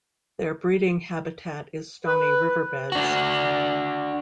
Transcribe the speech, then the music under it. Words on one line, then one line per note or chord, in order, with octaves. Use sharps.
Their breeding habitat is stony riverbeds.
B4
D4 F#4